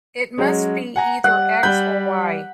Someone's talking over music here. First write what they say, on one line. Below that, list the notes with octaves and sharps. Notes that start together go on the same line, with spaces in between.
It must be either "X" or "Y".
F#3 G#3 C#4
F#5 G#5 A#5
G3 F#5
G3 B5 G6